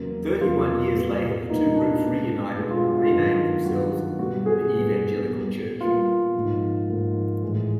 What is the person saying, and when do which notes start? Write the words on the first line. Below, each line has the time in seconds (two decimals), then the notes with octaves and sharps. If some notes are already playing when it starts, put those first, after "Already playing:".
Thirty-one years later the two groups reunited and renamed themselves "The Evangelical Church".
Already playing: E2 C#3 F#3 A#3
0.41 E2 C#3 F#3 A#3 F4
0.95 A#2 G3 B3
1.49 A#2 G3 B3 D#4
1.76 D4
2.03 B2 G#3 B3
2.57 B2 G#3 B3
2.71 F4
2.84 F#4
2.97 F4
3.11 G2 D#3 F#3 B3
3.65 G2 D#3 F#3 B3 F#4
4.19 B2 G3 B3 F#4
4.46 G#4
4.73 B2 G3 B3
5.27 A#2 G3 B3
5.81 A#2 G3 B3 F4
6.35 G#2 F3 A#3
6.89 G#2 F3 A#3
7.43 A2 E3 G#3